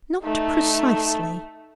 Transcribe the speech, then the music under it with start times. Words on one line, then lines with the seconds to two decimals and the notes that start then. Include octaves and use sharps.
Not precisely.
0.23 A3 D#4